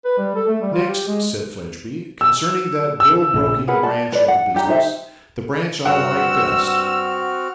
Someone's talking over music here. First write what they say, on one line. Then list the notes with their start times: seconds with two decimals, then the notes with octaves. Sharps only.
'Next,' said Fledgeby, 'concerning that bill-broking branch of the business; the branch I like best.
0.05 B4
0.17 G3
0.36 A4
0.48 A3
0.62 G3
0.73 F4
0.89 G4
1.07 G#3
2.21 E6
3.00 E6
3.33 A#1
3.67 G#4 A#4 B4 F#5
3.83 D5 A5
4.12 B4 D5
4.28 F#5
4.54 D4 G4 A#5
4.67 D#4 G4 C5 E5
5.85 G2 C4 F#4 F#5 E6 F6